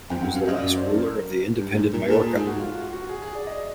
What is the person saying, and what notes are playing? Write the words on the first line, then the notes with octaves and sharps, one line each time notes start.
He was the last ruler of independent Majorca.
F2 G5
F#2 F#5
F#2 F5
F#2 D#5
F#2 D5
C5
A4
A#4
G2
G#2
A#2
A#2 A4
G#4
G#2 G#4
F#4
F4
F#4
F#4
G#4
G#4
D5
D#5